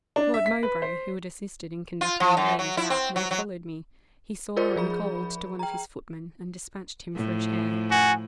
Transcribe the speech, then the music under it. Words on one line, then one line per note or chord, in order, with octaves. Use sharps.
Lord Mowbray, who had assisted in conducting the ladies out, now followed me; he saw, and called to one of his footmen, and despatched him for a chair.
D4
E5
B6
B4
C5
F4
F3
F#2
F#3
E4
C4
F#3
F#3
F4 G#4 A#4 C5 D5
F3 G#4 B5
G5 A#5
A2 F3
F#4 G#5